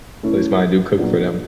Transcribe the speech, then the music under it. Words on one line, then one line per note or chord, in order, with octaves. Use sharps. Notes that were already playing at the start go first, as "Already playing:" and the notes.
at least when I do cook for them.
E3 A3 C#4 E4
A#2 F#3 B3 D4 F4